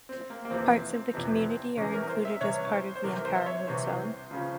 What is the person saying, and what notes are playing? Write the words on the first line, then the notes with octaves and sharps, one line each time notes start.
Parts of the community are included as part of the empowerment zone.
C4
A#3
A#3
F1 F2 C3 E3 C4
F1 F2 C3 E3
C2 C3 E3 C#4
A#4
C5
E5
C2 C3 E3 C#5
C5
C5
C2 C3 E3 A#4
C5
E5
C#5
C2 C3 E3 C5
C#2 C#3 F3